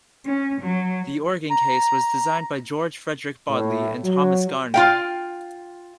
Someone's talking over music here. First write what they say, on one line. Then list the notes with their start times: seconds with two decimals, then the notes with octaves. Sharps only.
The organ case was designed by George Frederick Bodley and Thomas Garner.
0.23 C#4
0.60 F#3
1.50 A#5
3.49 A2
4.04 F#3
4.74 F4 F5 G5